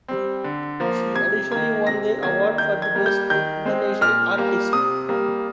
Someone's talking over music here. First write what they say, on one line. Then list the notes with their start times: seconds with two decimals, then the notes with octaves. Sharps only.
She additionally won the award for the Best Big International Artist.
0.08 G3 C4
0.44 D3
0.80 F3 A#3
1.16 C3 G#6
1.51 D#3 A#3 G#6
1.87 C3 A#6
2.22 D#3 A#3 G#6
2.58 D#3 G6
2.82 G#6
2.95 G3 A#3
3.06 G6
3.30 D#3 G6
3.65 G#3 C4
4.01 A#2 F6
4.37 G3 A#3
4.73 C3 D#6
5.09 G3 A#3